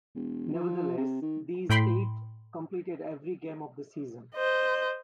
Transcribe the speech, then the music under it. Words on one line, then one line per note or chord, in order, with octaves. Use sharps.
Nevertheless, these eight completed every game of the season.
E1
F3
C3
D#3
A2 G5 B5 C6
C5 D#5